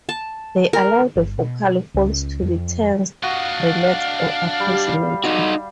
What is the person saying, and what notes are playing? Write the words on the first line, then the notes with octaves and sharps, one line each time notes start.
They allow the vocal folds to be tensed, relaxed, or approximated.
A5
A#4
G1
B2
C#2
F2
D4 F#4 D#5 F5
G3
D#4 F#4